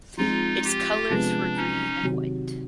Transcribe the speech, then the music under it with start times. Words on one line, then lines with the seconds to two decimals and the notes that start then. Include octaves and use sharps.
Its colours were green and white.
0.17 F3 G#3 C4 D#4 F4
0.64 F4 G4
1.10 C3 F3 G#3 B3 D4
1.57 C#4 D#4
2.03 C3 D#3 F#3